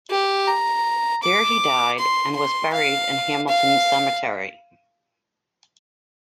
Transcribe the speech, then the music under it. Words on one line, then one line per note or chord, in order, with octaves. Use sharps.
There he died and was buried in Hamilton cemetery.
G4
A#5
D6
C6
C6
F5
F5